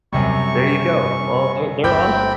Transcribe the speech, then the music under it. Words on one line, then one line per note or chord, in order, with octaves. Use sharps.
There you go. Well, they're they're on it.
F#2 C3 G3 C#6
G1 C4 G5 B5 D6 G6